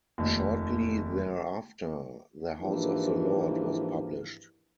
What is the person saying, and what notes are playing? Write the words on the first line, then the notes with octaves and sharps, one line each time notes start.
Shortly thereafter, "The House of the Lord" was published.
F1 D#2
G#2 E3 F3 A#3 D4 G4